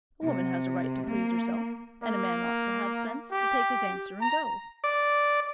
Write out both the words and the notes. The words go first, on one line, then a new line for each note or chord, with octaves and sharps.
A woman has a right to please herself, and a man ought to have sense to take his answer and go.
C3
A#3
A#3
G4
A#5
D5